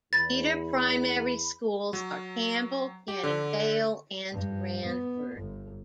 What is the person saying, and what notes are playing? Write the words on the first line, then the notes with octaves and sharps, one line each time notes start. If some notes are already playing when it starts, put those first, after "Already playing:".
Feeder primary schools are Campbell, Canning Vale and Ranford.
E2 B5 A6
F#3
G4
D3
G2
B3
G1